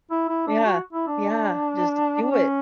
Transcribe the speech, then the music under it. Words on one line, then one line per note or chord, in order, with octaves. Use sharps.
Yeah. Yeah, just do it.
E4
E4
D4
F#4
E4
D4
D4
C#4